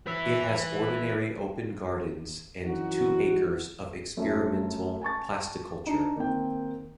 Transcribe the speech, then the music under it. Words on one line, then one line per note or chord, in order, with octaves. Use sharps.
It has ordinary open gardens and two acres of experimental "plasticulture".
B4 E5
F#2 E3 D#4 F#4
F#2 A3
G#5 A5 C#6 A6
D4 D#4
D#3 A#3 C4 G5